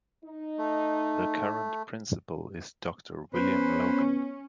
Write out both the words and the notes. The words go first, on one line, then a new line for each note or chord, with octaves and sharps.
The current Principal is Doctor William Logan.
D#4
A3
B3 C#4 B4 C5